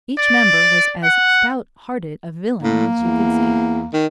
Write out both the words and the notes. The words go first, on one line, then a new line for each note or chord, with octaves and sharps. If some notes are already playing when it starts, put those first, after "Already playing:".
Each member was as stout hearted a villain as you could see.
D5
F#5
A2 A#3
E2
D#3